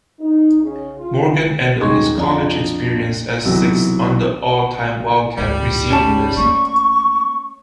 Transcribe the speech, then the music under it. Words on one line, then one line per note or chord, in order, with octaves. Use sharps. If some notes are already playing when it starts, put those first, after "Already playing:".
Morgan ended his college experience as sixth on the all-time Wildcat receiving list.
D#4
C#3
F4
D#1 G#3 D#4 C6 C#6 G#6
F2 D4 F4 A#5
B1 C3 E3 F#3
G#1 D2 G3
C#4 A5
A3 A#3 C#6